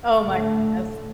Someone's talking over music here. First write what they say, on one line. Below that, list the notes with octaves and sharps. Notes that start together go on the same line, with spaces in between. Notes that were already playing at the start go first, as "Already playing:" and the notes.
Oh my ness.
A2 D3 A3